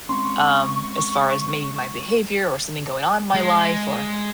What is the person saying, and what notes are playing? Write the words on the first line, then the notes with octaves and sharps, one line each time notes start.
um, as far as maybe my behavior, or something going on in my life, or,
G#3 C4 C#4 C6 C#6
G#3